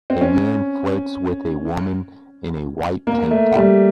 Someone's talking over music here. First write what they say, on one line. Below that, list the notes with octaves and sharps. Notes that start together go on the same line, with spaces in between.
A man flirts with a woman in a white tank top.
C4
C#4
A#3
A3
G3